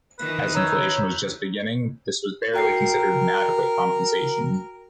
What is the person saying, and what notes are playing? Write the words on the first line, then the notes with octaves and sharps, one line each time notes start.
As inflation was just beginning, this was barely considered an adequate compensation.
D#3 E3 B4
C#5 A#5 E6 G6
F#4 A#4 G5 C7